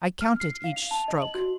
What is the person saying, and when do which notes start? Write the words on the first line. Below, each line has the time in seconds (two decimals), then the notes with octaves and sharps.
I counted each stroke.
0.21 F6
0.40 C7
0.64 F5
0.76 F7
0.91 A5
1.08 D#5
1.22 F#7
1.35 F#4